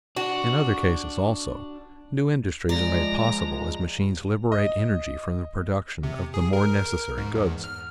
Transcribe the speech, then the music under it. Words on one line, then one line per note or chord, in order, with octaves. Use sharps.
In other cases also, new industries are made possible as machines liberate energy from the production of the more necessary goods.
D4 F#4
F3 G#3 D5 A#5
D#5
C3
G#4
A#4
G#2
E2
F6